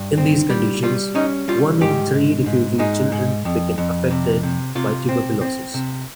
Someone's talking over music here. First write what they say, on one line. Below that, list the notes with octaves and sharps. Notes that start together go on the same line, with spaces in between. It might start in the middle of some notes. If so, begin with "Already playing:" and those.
In these conditions, one in three refugee children became affected by tuberculosis.
Already playing: G2
C4
G3
G3 F4
C#4 D#4
G3 F4
G#2 G4
G#2
G#2
G#2 D#4
G#2
F2
F2
C3
C3
C3 F4
C4
C4
C3